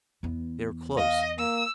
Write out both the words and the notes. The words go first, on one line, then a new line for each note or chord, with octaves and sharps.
They are close.
E2 B3
D#5 F5
A#3 E6